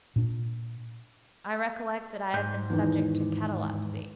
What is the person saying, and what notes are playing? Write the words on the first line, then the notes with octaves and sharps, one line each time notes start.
I recollect that I have been subject to catalepsy.
A#2 D4
G#2 G6
E2 D#3